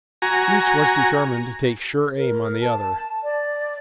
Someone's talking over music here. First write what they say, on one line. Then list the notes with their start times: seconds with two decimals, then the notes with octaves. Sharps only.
Each was determined to take sure aim on the other.
0.22 F#4 G#5 A#5
2.16 A#4
2.61 A5
3.23 D5